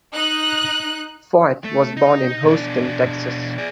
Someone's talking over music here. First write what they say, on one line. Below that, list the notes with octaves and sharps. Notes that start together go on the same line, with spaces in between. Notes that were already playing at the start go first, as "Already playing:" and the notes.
Foyt was born in Houston, Texas.
D#4 F#6
A3
D#4
B2 D4
G#4 D5